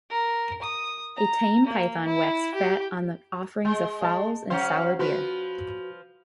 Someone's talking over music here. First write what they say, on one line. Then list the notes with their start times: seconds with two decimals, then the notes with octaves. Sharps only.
A tame python waxed fat on the offerings of fowls and sour beer.
0.10 A#4
0.62 D#6
1.16 A#5
1.66 A#3
2.06 E4
2.54 G4
3.65 G#3
4.01 D#5 A5
4.50 F#3 C#4 C5 F5
4.99 F3 F#4 B4